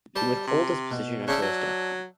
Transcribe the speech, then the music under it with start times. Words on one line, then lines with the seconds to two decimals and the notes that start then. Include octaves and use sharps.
He would hold this position until his death.
0.16 G3 C5 A5
0.47 C3
0.91 B2
1.28 C#3 D4 C5 E5
1.42 F#3